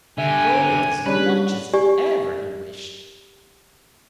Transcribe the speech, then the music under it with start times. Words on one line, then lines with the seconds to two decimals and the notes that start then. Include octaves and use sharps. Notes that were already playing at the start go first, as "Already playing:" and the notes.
Gold as much as ever he wished.
0.18 D3 G4 E5 G#5
1.06 G3 C#4 D4 G#4 B4
1.74 G4 D5 G#5